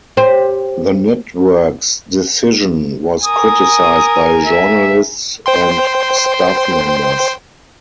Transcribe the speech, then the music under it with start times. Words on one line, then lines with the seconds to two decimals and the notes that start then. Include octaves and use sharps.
The network's decision was criticized by journalists and staff members.
0.17 G4 C5
3.25 A#4 G#5 D#6
4.46 E5
5.46 C5 G5 C6